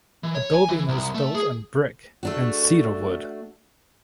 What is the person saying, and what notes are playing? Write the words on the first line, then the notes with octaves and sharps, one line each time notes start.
The building is built in brick and cedar wood.
E3
C#5
G#5
E3
C2
A3
G#4
A3 D4 F#4